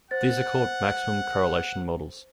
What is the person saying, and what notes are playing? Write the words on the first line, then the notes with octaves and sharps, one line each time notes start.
These are called maximum correlation models.
C5 F#5 A6